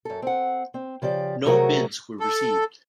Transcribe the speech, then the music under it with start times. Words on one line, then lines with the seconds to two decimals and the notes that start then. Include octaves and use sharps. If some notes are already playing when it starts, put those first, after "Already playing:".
No bids were received.
0.05 F#2 A4
0.22 C4 F#5
0.74 C4
1.02 C#3 F3 G4 D5
1.45 C3 F#3 A3 F#4 G#4 A#4
2.20 A4